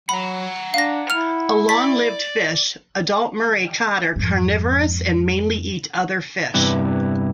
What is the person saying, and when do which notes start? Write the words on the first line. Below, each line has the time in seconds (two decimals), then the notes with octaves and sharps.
A long-lived fish, adult Murray cod are carnivorous and mainly eat other fish.
0.09 F#3 F#5 A#5 B5
0.74 D4 F5 A#6
1.10 E4 F6 F7
1.69 D5 B6
4.16 F2 G#2
6.54 E2 G2 C3 E3